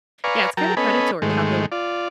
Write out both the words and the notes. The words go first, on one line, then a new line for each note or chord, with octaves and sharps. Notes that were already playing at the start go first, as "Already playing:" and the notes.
Yeah, it's kinda predatory how they'll
B4 D5 F5 G#5 A#5 C#6
F#3 A#4 G5 A5 A#5
B3 C#4 A4 D#5 G#5 B5
G#2 D#3 G#3 A3
F4 D5